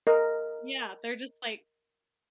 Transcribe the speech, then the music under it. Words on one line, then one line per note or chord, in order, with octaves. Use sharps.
Yeah, they're just like
A#4 D#5